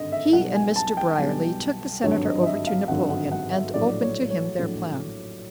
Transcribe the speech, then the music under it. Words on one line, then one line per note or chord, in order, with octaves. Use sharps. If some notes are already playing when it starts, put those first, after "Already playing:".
He and Mr. Brierly took the Senator over to Napoleon and opened to him their plan.
Already playing: G#1 G2 D3 D#5
E5
B1 B2 G3 F#5
G#5
A5
G5
B1 B2 G3
G#1 G2 D3 F#3 C#5
D#5
D#5
E5
F5
G#1 G2 D3 F#3 F#5
F#5
F#5
E5
A#1 A2 F#3 D5
C#5
C#5
A#1 A2 F#3